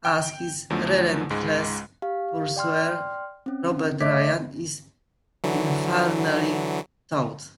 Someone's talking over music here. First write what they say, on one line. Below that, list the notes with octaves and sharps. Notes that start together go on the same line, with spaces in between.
As his relentless pursuer, Robert Ryan is infernally taut.
G5
E2 D3 F3 F#3 A3
C#2 G#2 G#3
G4 F5
D5 G5 C6 F6
C4 C#4
A3 C#5 D#5 E5 D6 B6
D3 E3 F#3